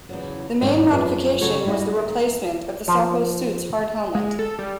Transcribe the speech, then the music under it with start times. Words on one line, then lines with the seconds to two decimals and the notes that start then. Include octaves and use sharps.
The main modification was the replacement of the Sokol suit's hard helmet.
0.09 E2 C#3 F#3
0.62 G#2 D#3 F#3 G3 C#4
0.90 F#2 F3 G#4 B4 E5
1.41 C#3 F#3 F#4 A4 C#5
1.65 G3 G#3 E4 F#4 G#4
1.95 D#2 A#4 E5
2.88 F3
4.15 G#3
4.39 A4
4.59 G3